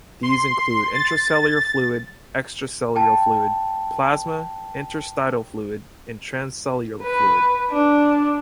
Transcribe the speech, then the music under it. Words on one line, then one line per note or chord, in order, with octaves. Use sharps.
These include intracellular fluid; extracellular fluid; plasma; interstitial fluid; and transcellular fluid.
C6
A6
G5 A5
B4
D4